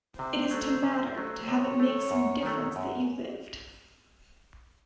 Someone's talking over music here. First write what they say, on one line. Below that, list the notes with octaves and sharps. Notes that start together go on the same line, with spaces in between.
It is to "matter," to have it make some difference that you lived.
C3 C5
F#3 A3
C3
F#3 A3
C3 C#5
F#3 A3
F#2
D#3 F#3 A3
F#2